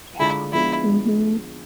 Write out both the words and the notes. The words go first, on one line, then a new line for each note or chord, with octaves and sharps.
yeah. Mhm.
D3 G#3 D4 E4 F4
F3 G#3 B3 D4 E4 F4